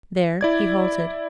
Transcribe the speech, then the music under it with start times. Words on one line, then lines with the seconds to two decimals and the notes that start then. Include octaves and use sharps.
There he halted.
0.41 E4 D5 G#6